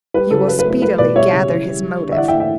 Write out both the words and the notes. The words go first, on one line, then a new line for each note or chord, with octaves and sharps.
You will speedily gather his motive.
G3 B4
C#3 A4
F#3 B4
B4
A3
B4
G3 B4
B2 B4 D5
G3 C#5 E5
C#3
E3
G3
G3
D3
E5
E3 D5 F#5
E5 G5
A3
E5 G5